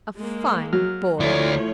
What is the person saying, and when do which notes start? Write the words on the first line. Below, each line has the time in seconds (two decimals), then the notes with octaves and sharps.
"A fine boy."
0.17 G#3 A#3
0.73 F#3 F6
1.20 D2 F3 A3 E4 C#5 D5